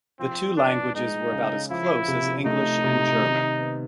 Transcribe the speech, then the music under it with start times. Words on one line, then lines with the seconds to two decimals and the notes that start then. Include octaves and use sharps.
The two languages were about as close as English and German.
0.19 F3 C4
0.57 B3 D4
0.94 G#3 D#4
1.32 C#3
1.70 F3 E4
2.08 C3
2.46 A3 D#4
2.84 C3
3.21 D#3
3.58 B3